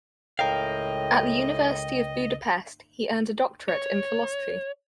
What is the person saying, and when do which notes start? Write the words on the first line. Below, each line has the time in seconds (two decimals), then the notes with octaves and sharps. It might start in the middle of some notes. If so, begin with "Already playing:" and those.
At the University of Budapest, he earned a doctorate in philosophy.
0.39 C#2 A2 A#4 D#5 F5 G5
3.69 C#5